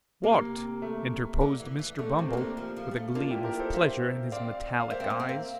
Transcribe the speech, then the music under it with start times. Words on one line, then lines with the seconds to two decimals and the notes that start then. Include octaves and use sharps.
What?' interposed Mr. Bumble: with a gleam of pleasure in his metallic eyes.
0.24 C3 A#3
0.82 A3
1.41 D3
1.60 E3
1.79 E3
1.99 D3 A3
2.17 C3 C4
2.28 E3 A#3
2.37 D3
2.57 F3
2.77 F3
2.91 G3
2.96 A3
3.15 A#3 D4 F4
3.30 E4 G4
3.44 G4 A#4
3.59 A4 C5
3.74 A#3 C5 E5
4.32 C4 D5 F5
4.80 F5
4.90 A#3 C5 E5
5.00 C4
5.10 A#3
5.20 C4
5.29 A#3